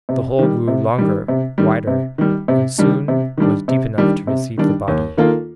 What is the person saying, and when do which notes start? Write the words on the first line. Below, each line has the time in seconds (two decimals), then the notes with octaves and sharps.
The hole grew longer, wider, and soon was deep enough to receive the body.
0.09 C3
0.39 D#3 G3
0.68 C3
0.98 D#3 G3
1.28 C3
1.58 D#3 G3
1.87 C3
2.18 D#3 G3
2.48 C3
2.78 D#3 G3 D4
3.08 C3
3.38 D#3 G3 D4
3.68 C3
3.98 D#3 G3 D4
4.27 C3
4.58 D#3 G3 D4
4.88 D#2
5.18 D#3 A#3 F4 A4